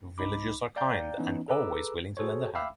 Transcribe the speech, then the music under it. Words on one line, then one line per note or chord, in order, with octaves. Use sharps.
Villagers are kind and always willing to lend a hand.
C2 D#4 B5 D6
D5 F5 G5 A#5 G6
E3 B3 C#4 D#4
G#4 A4 B4 A#5 D6 E6
F#4 G#4 A4 C5 C#5
E5 F5 G5 B5 D6 E6